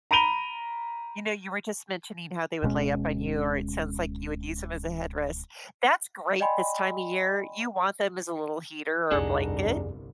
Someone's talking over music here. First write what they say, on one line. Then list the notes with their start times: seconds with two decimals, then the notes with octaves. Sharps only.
You know, you were just mentioning how they would lay up on you, or it sounds like you would use 'em as a headrest. That's great this time of year, you want them as a little heater or a blanket
0.11 A#5 B5 D7 D#7 F7 G7
2.63 D1 B2 G#3 C#4
6.40 D5 D#5 G5 G#5 B5 C6
9.11 G1 C2 F2 D4 D#4 G#4 D5 F#5